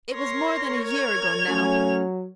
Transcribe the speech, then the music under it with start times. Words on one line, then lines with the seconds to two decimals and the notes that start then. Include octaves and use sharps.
It was more than a year ago now.
0.13 A#4 C#5 C6 A#6
0.85 G#6 F7
1.49 F#3 A3 C#4